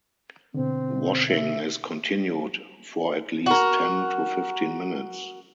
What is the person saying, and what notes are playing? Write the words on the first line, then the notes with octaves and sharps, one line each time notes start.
Washing is continued for at least ten to fifteen minutes.
B2 D3 C4
E5
F#4 A#4